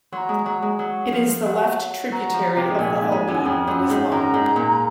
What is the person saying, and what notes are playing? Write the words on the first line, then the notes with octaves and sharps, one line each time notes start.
It is a left tributary of the Elbe and is long.
F#3 A#5 C6
G#3
F#3
G#3
F#3
F3
F#3
F#3 A#5
F3
C3
G#2
A#2 G#5
G#2
G#2
F#2
F2
F#2
G#2
F#2 A#5
G#2
A#2